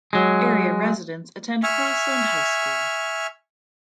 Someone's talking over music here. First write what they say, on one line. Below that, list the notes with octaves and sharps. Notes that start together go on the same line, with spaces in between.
Area residents attend Crossland High School.
F#3 G#3
E5 G#5 C#6 F6